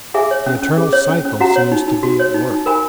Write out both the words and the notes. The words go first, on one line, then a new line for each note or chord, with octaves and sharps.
The eternal cycle seems to be at work.
G#4 E5 G#5
C#5
C#4
C#4
G#4
C#5
C#4
C#4
F#4 F#5 A#5
C#5
D#4
D#4
F#4
C#5
D#4
D#4
A#4 G#5 B5